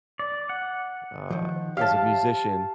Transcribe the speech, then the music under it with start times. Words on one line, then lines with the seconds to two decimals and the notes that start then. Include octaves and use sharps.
uh, as a musician
0.19 D5
0.49 F#5
1.30 D#3 F3
1.77 G4 C#5 E5 F5 A5